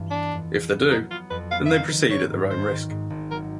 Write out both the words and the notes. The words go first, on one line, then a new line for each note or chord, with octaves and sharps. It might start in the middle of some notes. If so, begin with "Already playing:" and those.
If they do, then they proceed at their own risk.
Already playing: G2 E3 G3
B3 D4
F2
F#3
B3
F#3 D#4
B3 F4
F2 B4
B3 F5
E5
D#3 F5
D#3
G#1 C#5
G#2
G#1 C5
D#3
G#2
G#1
F#3 A#4